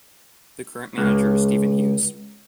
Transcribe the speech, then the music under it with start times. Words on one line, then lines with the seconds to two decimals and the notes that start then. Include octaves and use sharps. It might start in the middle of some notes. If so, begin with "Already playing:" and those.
The current manager is Stephen Hughes.
0.98 C#2